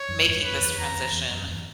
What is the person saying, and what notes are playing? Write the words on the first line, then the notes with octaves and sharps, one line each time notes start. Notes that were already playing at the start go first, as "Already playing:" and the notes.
"making this transition.
Already playing: C#5
F#2
E2 G#2
G#2
F#2 B4
E2
E2 A#5
E2
E2
F#2
E2 G#2